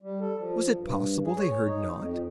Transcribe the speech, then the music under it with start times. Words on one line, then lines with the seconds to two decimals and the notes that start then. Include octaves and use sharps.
Was it possible they heard not?
0.02 G3
0.20 A4
0.38 F3
0.76 G2
1.25 G#4
1.37 C#5
1.65 D#4
1.97 F2